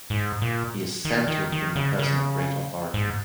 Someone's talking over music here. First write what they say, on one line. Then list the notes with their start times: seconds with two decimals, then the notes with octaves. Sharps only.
He is said to have been a person of great authority.
0.10 G#2
0.42 A#2
1.05 D#3
1.28 D#3
1.52 D#3
1.76 C#3
1.99 C#3
2.94 G#2